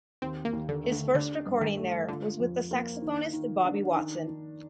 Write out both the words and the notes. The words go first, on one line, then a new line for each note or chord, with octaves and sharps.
His first recording there was with the saxophonist Bobby Watson.
D#2 C4
A#3
D#2
D3
A3
D3
D3 D4
G2
D#3
A3
D3 F4
F2
A#3
D#3
D#3
D4
D#3
D#3